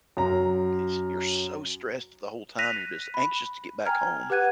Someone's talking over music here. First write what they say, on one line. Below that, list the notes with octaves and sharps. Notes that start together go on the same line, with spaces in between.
it's you're so stressed the whole time. You're just anxious to get back home.
F#2 A#5
F#6 A#6 B6 D#7 F7
B5
G5 G#5 A#5 F6 G#6
G4 B4 F#5 F#6 G#6 D#7